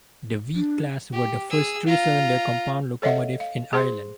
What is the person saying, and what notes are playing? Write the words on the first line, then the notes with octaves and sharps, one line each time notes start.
The V class were the first three-cylinder compound locomotives in Ireland.
D4
G4
G#4 E6
F4 A#5
A4 C#5 D#5 E5 F#5
F5
G#4 C5 C6